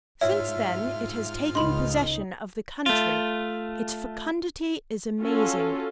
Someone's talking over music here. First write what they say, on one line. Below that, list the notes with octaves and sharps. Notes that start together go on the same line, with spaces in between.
Since then it has taken possession of the country. Its fecundity is amazing.
G#2 F4 C#5 E5 F6
C#2 D#4 B5 C6
A3 F4
C#4 F4 F#4 A4